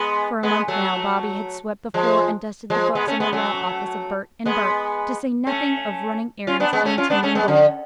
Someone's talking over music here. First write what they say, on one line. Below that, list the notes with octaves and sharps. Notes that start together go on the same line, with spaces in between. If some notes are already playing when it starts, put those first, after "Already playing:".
For a month now Bobby had swept the floor and dusted the books in the law office of Burt & Burt, to say nothing of running errands and tending door.
Already playing: G#3 B3
G#3 B3
F#3 A3
F3 G#3
F3 G#3
G#3 B3
A3 C#4
G#3 B3
F#3 A3
G#3 B3
A3 C#4
C#4 F4
B3 D4
G#3 B3
A3 C#4
C#4 F4
B3 D4
A3 C#4
G#3 B3
D3